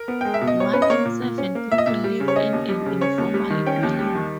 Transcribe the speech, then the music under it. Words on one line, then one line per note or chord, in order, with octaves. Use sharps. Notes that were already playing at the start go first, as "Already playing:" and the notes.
One in seven people live in an informal dwelling.
Already playing: A#4
B3
G#3 G5
E5
B2
D#5
B2 C#5
C#4 B4
D#5
A#3 C#5
A#2
A#2
C#4
A#3
A#2 E5
D#5
A#2 E5
G3
C#3
C#5
C#4 D#5
D#2
G3
C#3
C#4 C#5
D#2
G3
D#3
C#4 G5
D#2
G3
D#3